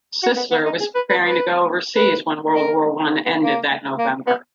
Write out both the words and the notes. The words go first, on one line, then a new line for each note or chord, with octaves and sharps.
Sisler was preparing to go overseas when World War One ended that November.
F#4
B3
B3
D#4
G#4
B4
B4
B4
B4
A#4
B3
A#3
A#3
B3